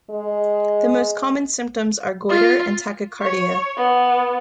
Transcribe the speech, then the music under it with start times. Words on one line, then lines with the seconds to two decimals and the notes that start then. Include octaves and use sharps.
The most common symptoms are goiter and tachycardia.
0.11 G#3
2.29 F4
3.22 C#5
3.77 B3